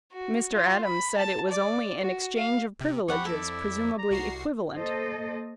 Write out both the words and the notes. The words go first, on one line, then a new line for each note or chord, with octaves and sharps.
Mr. Adams said it was only an exchange of privileges presumably equivalent.
F#4
F4
B5
A5
D5
F#4
F5
C3
F2 G4 F#5 B5 C#6
E4 A4 D5
A#5
C2 F#4 C7
A#3 A4 C5 D#5